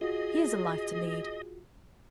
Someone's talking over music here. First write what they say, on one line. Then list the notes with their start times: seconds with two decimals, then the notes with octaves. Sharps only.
Here's a life to lead!
0.01 F4 F#4 G#4 D#5